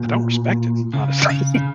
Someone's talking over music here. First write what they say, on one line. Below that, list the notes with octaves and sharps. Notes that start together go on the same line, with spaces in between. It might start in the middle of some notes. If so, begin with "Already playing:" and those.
I don't respect it, honestly,
Already playing: A#2
C#3
C#3
C#3